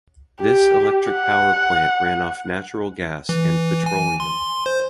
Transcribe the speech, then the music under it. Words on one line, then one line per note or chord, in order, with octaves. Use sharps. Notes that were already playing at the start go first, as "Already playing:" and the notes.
This electric power plant ran off natural gas and petroleum.
G4
F#5
E3
G#5
C6
C5